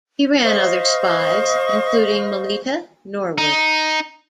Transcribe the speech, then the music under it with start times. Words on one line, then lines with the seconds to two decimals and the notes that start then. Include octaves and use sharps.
He ran other spies, including Melita Norwood.
0.43 C5 D#5 F5 C#6
3.38 D#4